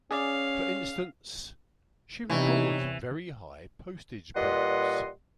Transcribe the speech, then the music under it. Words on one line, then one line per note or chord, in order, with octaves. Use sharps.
For instance, she records very high postage bills.
C#4 G#4 D5 F5
C3 E3 G3 B3 D#4 E4 C#5
A#2 G3 B4 D#5 F#5 C6